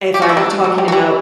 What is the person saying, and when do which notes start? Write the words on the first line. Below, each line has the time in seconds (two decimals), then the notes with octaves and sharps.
if I'm talking about
0.14 G4
0.22 F#4
0.29 E4
0.37 G3 D4
0.64 F#3
0.78 G3
0.88 F#4
0.92 G3 E4